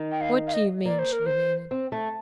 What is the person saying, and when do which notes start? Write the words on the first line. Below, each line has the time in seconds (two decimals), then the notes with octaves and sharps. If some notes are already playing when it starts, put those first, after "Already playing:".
"What do you mean?" she demanded.
Already playing: D#3
0.12 G5
0.21 F5
0.47 F5
0.53 D#5
0.85 A#3 D5
0.99 C5
1.12 A#4
1.26 C5
1.71 C4
1.92 A3